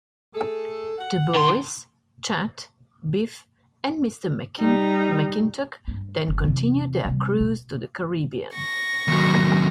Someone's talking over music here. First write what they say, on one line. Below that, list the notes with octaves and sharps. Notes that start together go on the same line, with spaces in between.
The boys, Chet, Biff, and Mr. McClintock then continue their cruise to the Caribbean.
A3 G#4 A4
F#5
D#3 C6
G3 D#4
G2
F#1
E2 C3
C3 G3
B2
C#6 A#6
D#2 F#3